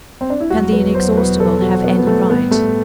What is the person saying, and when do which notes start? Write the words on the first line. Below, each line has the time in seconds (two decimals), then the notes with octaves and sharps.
Can the inexhaustible have any right?
0.21 C4
0.30 D4
0.40 E4
0.50 E2 B2 F#3 F#4
0.73 B4
0.95 C5
1.17 B4
1.40 A4
1.62 F#4
1.85 B3
1.97 B3
2.07 A3
2.29 A2 G3 B3 C4
2.51 A3